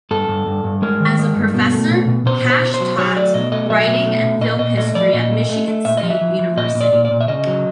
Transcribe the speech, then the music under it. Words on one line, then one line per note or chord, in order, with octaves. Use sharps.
As a professor, Cash taught writing and film history at Michigan State University.
G2 A4
G2
G2
G2
G#3 A#4
D#3
G#3
G2
B2
A3
B2
B2
B2 C5
B2
C5
B2
C5
F#3
F#3 C#5
A3 D5
B2 D#5
A3 D#5
F#3 E5
B2
A3
B2
A#2 D#5
A#2 D#5
A3 D#5
F3 D5
A#2 D#5
A3
A3
A3
A#2 E5
D#5
F3
E5
F3
F3
A#2 D#5
A#2
D5
A#2
D5
A#2
E5
C#3 D#5
F#3